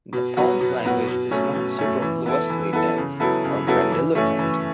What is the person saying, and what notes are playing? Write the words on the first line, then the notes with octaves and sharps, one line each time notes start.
The poem's language is not superfluously dense or grandiloquent.
B2
F#3 B3 F#4
B2
F#3 B3 F#4
B2
F#3 A3 C#4
B2
F#3 A3 C#4
E3
B3 E4 A4
E3
B3 E4 A4
C#3
F#3 B3 E4 A4
C#3
F#3 B3 E4 A4
E3
A3 C#4
E3